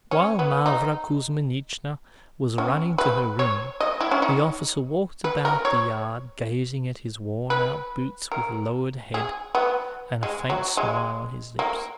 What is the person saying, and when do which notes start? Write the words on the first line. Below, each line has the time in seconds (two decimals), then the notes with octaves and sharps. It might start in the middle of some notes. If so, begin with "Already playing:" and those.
While Mavra Kuzminichna was running to her room the officer walked about the yard gazing at his worn-out boots with lowered head and a faint smile on his lips.
0.11 C#4
0.39 B3
0.66 D#4
2.58 C#4
2.98 B4
3.39 C#5
3.80 D#5
4.01 E4
4.11 C#4
4.22 D#4
5.24 B4
5.45 A#4
5.65 C#5
7.50 B4
8.32 A#4
9.14 G#4
9.55 B3
10.23 G#3
10.50 F#3
10.77 G#3
11.59 A#3